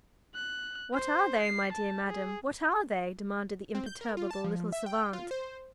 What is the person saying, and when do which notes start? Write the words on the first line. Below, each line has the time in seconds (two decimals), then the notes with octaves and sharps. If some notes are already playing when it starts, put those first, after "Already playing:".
"What are they, my dear madam, what are they?" demanded the imperturbable little savant.
0.35 F#6
0.93 C5
1.41 C7
1.73 A5
2.07 G#4
3.75 C4
3.86 G6
4.01 A#4
4.17 F4
4.31 A5
4.44 F3
4.73 E5
4.86 G5
5.13 F4
5.31 C5